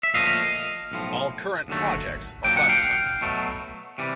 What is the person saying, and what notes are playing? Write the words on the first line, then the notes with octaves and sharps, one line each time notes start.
All current projects are classified.
E5
A#2 F3 A3 D#5 F5
B1 A2 F3
D#2 D3 F#3 A3
A#2 F#3 A#3 D4 G5
F#5
F5 G5
B2 F#3 A3
C3 E3 G3